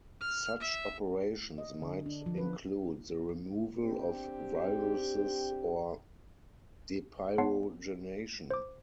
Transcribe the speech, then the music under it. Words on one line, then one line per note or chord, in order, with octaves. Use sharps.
Such operations might include the removal of viruses or depyrogenation.
F6
E5
D#5
D3
D4
F3
B4
C4 D4 G4
B3 C#5 F#5 A5 C6 C7
C5 D6